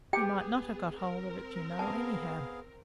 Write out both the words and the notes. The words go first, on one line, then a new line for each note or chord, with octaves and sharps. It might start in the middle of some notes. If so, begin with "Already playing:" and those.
He might not have got hold of it, you know, anyhow.
B3 G4 G#4 G5
C4 A#4
B3 G#4 F5 A5